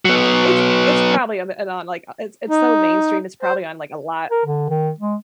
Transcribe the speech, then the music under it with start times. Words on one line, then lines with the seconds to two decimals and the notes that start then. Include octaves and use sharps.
It's it's probably on the on the, like it's it's so mainstream, it's probably on, like, a lot
0.05 F#3 B3
2.49 D#4
3.42 C5
4.31 A#4
4.46 D3
4.70 D#3
5.00 G#3